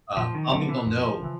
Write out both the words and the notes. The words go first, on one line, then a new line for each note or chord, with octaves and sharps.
Uh, lotta people don't know
A#2 F3
D#3
D3 F#3 B3
E3
F#2 F3
C#3 E3